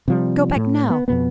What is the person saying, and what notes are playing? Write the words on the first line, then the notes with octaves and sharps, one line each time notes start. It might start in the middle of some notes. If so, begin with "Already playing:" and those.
Go back now!
C3 F3 G3
A2
B3
F2 B2 B3